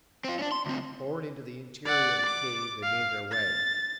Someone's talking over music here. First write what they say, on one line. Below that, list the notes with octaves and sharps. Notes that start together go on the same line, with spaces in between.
Forward into the interior of the cave they made their way.
C4 F4
C#4 D4
C6
D2 C4
D5 F#5
D6
F5
A6